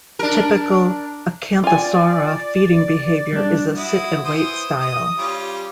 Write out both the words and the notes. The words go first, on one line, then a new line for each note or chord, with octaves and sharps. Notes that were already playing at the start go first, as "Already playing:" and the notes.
Typical "Acanthosaura" feeding behavior is a sit-and-wait style.
D4 A#4
F4 D5 G#5
G3 D4
E4 F#4 D#6
E3 C5 D#6
D#5 D#6
G3 C#4 F4